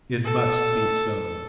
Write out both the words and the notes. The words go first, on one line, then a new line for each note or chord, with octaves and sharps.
It must be so.
A4